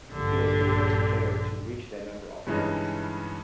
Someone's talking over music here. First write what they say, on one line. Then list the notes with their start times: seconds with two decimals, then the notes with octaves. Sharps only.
He was the first player to reach that number of points.
0.13 A#1 G2 D3 G4
2.47 G2 C#3 E3 G#3 D#4